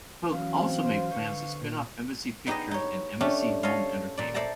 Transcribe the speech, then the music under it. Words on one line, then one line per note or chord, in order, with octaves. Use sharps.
Coke also made plans to spin-off Embassy Pictures and Embassy Home Entertainment.
E3 F#3 C#4 F5
C4
C5
D3 B4 C5 C#6
A#2
B3 D#4 G4 G#4 D#5
D#4 C#5
A3 C#4 D4 G4
A4 C#5 D#5 F5
A#2 D5
A4 C5 D5 E5 A5 A#5